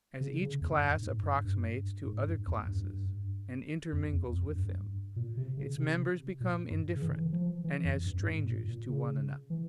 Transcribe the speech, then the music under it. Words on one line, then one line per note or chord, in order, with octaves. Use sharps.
As each class approximates to other classes, and intermingles with them, its members become indifferent and as strangers to one another.
C#3
C#3
E2
G2
G#2
G2
G2
G#2
G2
E2
G2
F2
E2
F2
G2
A#2
C3
C#3
C3
A#2
G2
C#3
E3
F3
E3
F2
G2
G2
G#2
A#2
A#2
C#3
E3